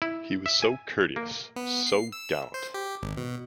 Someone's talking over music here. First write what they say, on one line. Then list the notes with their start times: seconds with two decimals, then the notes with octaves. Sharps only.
He was so courteous, so gallant!
0.02 E4
0.46 E5
0.62 G#5
1.16 A#3
1.56 B3
1.87 C7
2.12 E6
2.54 C5
2.74 G4
3.02 G#1
3.17 B2